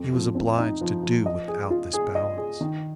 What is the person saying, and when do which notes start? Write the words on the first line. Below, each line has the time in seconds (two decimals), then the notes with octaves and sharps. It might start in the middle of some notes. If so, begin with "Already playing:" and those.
He was obliged to do without this balance.
Already playing: F2
0.13 F3
0.35 C4
0.58 D#4
0.81 F3
1.03 F3
1.26 D#5
1.48 G#4
1.70 F4
1.93 G#4
2.15 D#5
2.37 G#4
2.61 D#3